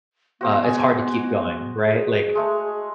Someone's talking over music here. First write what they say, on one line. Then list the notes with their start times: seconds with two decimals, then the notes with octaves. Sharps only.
uh, it's hard to keep going, right? Like,
0.41 B3 F#4 C5 D6
0.63 G#3 F#4 G#5
1.84 G#4
2.35 G#3 A3 C#5